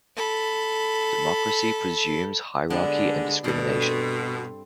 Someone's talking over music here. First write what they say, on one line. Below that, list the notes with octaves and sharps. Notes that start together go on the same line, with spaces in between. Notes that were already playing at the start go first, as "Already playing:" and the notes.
Democracy presumes hierarchy and discrimination.
A4 B5
D3 G#3 B3 D4 G4
G2 B2 A4
C4